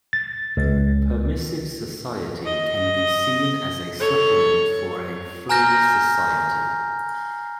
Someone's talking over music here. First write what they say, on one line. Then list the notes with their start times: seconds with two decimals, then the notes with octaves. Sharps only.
Permissive society can be seen as a supplement for a free society.
0.13 A6
0.57 C#2
2.46 D#5
3.99 A4 C#5
5.49 G#5 A#5 F6 G6 A#6